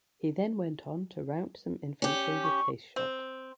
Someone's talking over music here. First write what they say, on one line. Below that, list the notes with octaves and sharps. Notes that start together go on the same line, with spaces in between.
He then went on to rout some infantry with case shot.
C#4 G4
C#6
C4